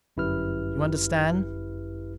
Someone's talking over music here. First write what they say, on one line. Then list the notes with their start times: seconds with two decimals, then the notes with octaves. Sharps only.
You understand?
0.17 G1 F#2 E4 G4 B4 F6